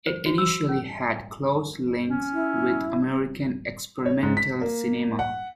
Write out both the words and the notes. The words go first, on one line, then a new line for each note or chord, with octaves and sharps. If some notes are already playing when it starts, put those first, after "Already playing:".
It initially had close links with American experimental cinema.
C5
F#4
E6
C#4
C#4
E4
C#5
G#2
B6
A#3
F#5